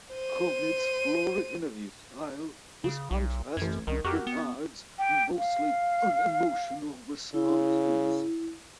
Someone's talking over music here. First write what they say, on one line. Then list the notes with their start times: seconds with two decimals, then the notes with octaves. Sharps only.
Conan's florid interview style was contrasted with Bernard's mostly unemotional responses.
0.15 C5 D#7
2.84 C#3
3.11 B1
3.57 A1 F#2 G#6
3.87 C2 D#3
4.04 F2 F#4 G4 A#4
4.27 B3
4.99 G5
5.37 F5
7.34 C#3 E4